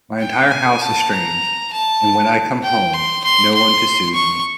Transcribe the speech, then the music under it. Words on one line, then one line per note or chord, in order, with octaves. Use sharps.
My entire house estranged...and when I come home...no one to soothe me.
G5
G#5
A5
A#5
A5
G5
C6
C6
C6
C#6